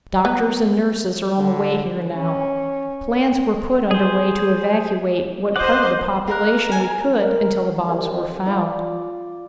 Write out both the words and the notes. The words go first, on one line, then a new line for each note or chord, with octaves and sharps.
Doctors and nurses are on the way here now. Plans were put under way to evacuate what part of the population we could until the bombs were found.
B3
D3
C#4
G#4 C5
C5 D#5 F#5 D6
A#4 F5 D6 F#6
G#4 G#5
A#4
C2
F2
F4 D5